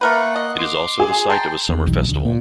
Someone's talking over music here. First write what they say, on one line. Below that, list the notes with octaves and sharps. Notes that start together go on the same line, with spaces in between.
It is also the site of a summer festival.
A3 A#3 A#4 B4 F#5
D#5
C6 D6
G#4
G5 A5 A#5 C6
E2
B1
D2
A#2